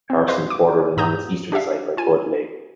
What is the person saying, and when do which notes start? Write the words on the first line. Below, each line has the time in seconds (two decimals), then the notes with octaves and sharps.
Harrison is bordered along its eastern side by Budd Lake.
0.10 C4
0.28 B4 C5 D#5 F5 C6
0.50 D6
0.97 G#2 A#5 D#6 G6
1.52 D4 G4 G#4 E5 F5
1.97 F4 G#5